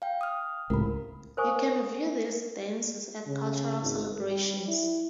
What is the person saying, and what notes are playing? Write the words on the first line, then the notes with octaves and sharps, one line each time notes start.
You can view these dances at cultural celebrations.
F5 G5
D#6 F6
C#2 A2 C3 A#4 B5
A#4 C5 F5 G#5 C#6 D#6
C#3
G#1
G3
E4